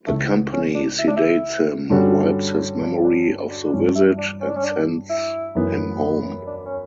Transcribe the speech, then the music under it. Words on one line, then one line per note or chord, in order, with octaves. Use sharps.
The company sedates him, wipes his memory of the visit, and sends him home.
C#2 C#3 E3 A3
B3
C#4
D4
E4
D4
E4
G2 D3 G3 C#4 F#4
D4
D4
D4
D4
G2 E3 B3 C#4
E4
D4
C#4
D4
C#4
D4
E4
F#2 E3 B3
D4
C#4